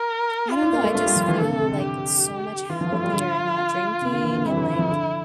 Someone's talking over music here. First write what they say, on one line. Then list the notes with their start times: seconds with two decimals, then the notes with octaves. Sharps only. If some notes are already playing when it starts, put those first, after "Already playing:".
I don't know. I just feel, like, so much healthier not drinking, and, like,
Already playing: A#4
0.51 F4
0.62 D4
0.73 A#3
0.84 A3
0.95 A3 F4
1.06 G3
1.16 F3
1.28 E3
1.38 D3 A4
1.49 C3
1.61 C3
1.71 D3
1.83 G4
2.70 E3 F4
2.81 F3
2.92 A3
3.03 G3
3.14 D3
4.02 C3
4.12 D3
4.24 E3
4.35 D3
4.45 C3 E4
4.51 E3
4.57 D3
4.68 E3
4.79 F3
4.89 D3